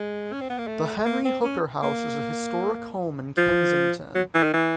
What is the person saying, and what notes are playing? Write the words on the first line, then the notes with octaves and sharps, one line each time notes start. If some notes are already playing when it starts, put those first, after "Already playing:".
The Henry Hooker House is a historic home in Kensington.
Already playing: G#3
C#4
C4
B3
A#3
A3
A#3
C4
C#4
A#3
F3
F#3
E3
D#3
E3